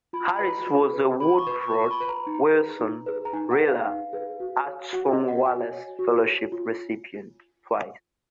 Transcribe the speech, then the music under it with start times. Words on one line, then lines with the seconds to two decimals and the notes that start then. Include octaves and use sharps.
Harris was a Woodrow Wilson Lila Acheson Wallace Fellowship recipient twice.
0.13 F4 B5
0.25 A#5
0.36 B4 B5
0.67 F4
0.93 B4
1.20 F4 B5
1.38 C#6
1.47 B4
1.56 C#6
1.73 F4 C#6
1.91 B5
2.00 B4
2.09 A#5
2.27 D#4
2.53 G#4 B4
2.79 D#4
3.06 G#4 B4
3.25 A#5
3.33 D#4 G#5
3.51 F#5
3.59 G#4 B4
3.68 F5
3.87 D#4
4.13 G#4 B4
4.40 F#4
4.66 C#5
4.93 F#4 F#5
5.11 D#5
5.20 C#5
5.28 F#5
5.46 F#4 G#5
5.73 C#5
5.99 F#4
6.27 C#5
6.52 F4